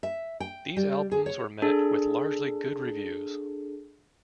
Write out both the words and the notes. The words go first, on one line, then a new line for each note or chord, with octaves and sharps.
These albums were met with largely good reviews.
E5
G5
G3
G#4
C#5
D4 G#4 A4